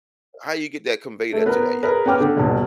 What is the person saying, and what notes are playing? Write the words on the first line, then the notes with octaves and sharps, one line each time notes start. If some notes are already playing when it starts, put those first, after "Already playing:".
how do you get that convey that to that young person?
A3
B3 A#4
G#4 A#4 B4
B3 C#4 G5 D6 F6
D3
D#1 B2